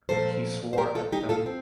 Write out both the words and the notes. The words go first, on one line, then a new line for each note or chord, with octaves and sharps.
He swore at them.
A#2 F3 A3 A4 C5
C5
G4 A#4
F4 A4
D#4 G4
F4 A4
C4